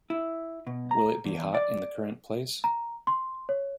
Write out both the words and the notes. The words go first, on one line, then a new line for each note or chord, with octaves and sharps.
Will it be hot in the current place?
E4
B2
A#5
E2
D5
A#5
C6
C#5